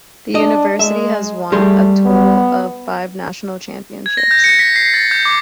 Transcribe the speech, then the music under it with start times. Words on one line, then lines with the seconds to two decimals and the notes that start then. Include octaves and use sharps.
The university has won a total of five national championships.
0.35 D4 D#5
0.79 G#3 E5
1.52 G3 A3 G#4 C6
2.05 B3
4.06 G#6
4.17 A#6
4.31 G6
4.44 C#7
4.59 B6
4.76 C7
4.94 A6
5.11 G6
5.25 D6